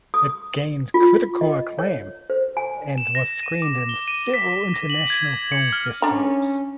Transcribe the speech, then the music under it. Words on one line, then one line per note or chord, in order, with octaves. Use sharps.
It gained critical acclaim and was screened in several international film festivals.
D#6
F4
D#5
C#5
C5
G#5
E7
A#6
D#7
D6
G7
D#7
B6
A#6
F#7
G#6
C#7
F6
C#4 D4 A#5